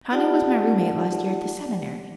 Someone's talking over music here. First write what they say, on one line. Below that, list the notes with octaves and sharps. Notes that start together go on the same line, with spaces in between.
Connie was my roommate last year at the Seminary.
D#4 F4 G4 D5 F#5 A5